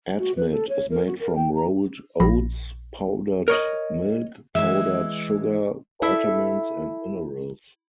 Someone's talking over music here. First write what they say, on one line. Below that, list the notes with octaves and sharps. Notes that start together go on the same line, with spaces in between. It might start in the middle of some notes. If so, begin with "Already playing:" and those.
Atmit is made from rolled oats, powdered milk, powdered sugar, vitamins, and minerals.
F#4
B4
A4
C#5
A#4
F#4
A#4
G5
A#5
A#1 B5 A#6
A#4 C#5 D#5
E3 G#3 E5
E4 A4 E5